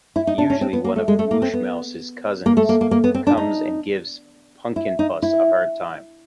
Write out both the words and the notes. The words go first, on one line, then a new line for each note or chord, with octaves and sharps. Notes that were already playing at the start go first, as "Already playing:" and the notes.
Usually one of Mushmouse's cousins comes and gives Punkin' Puss a hard time.
E4
D#4
D4
C#4
C4
B3
A#3
A3
G#3
A3
A#3
C4
B3
A#3
A3
A#3
A#3
A#3
B3
C4
D4
D#4
E4
D#4
E4